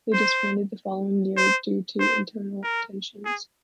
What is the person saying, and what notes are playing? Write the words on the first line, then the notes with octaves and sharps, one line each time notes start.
They disbanded the following year due to internal tensions.
C5
C5
C5
A#4
G#4